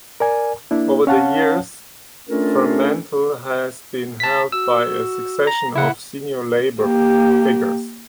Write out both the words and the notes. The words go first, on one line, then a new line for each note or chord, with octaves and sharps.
Over the years, Fremantle has been held by a succession of senior Labor figures.
A#4 D5 G#5
A#3 D4 E4
C#4 C#5 F5 F#5 A5
A3 C#4 D4 F4 A4 A#4
A5 B6
F#4 E6
A#5
C#3 E4 F#5
A#3 G4